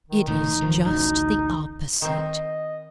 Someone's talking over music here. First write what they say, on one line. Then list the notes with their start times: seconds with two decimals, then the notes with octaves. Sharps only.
It is just the opposite.
0.08 D#3
0.27 E1 A2 D#3 D#4
0.61 D1 D#3 F3
0.85 A1 D2 D#4
2.02 D#3 C4 D#5